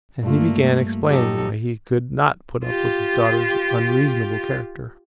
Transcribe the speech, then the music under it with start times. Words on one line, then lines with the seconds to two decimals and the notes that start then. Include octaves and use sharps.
And he began explaining why he could not put up with his daughter's unreasonable character.
0.23 G2 A3 A#3 F4
1.09 F#3 D#4 G4 A4
2.65 F4 G4